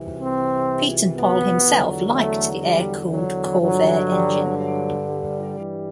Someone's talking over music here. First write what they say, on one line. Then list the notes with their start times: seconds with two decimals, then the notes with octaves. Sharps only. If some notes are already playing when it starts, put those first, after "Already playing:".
Pietenpol himself liked the air-cooled Corvair engine.
Already playing: C2 C3 E3
0.17 C4
1.15 B3
1.64 E2 D3 F#3
2.13 A3
2.61 G3
3.10 F#3
3.59 G2 D3 F#3
4.09 G3
4.57 F#3
5.06 G3
5.55 G2 E3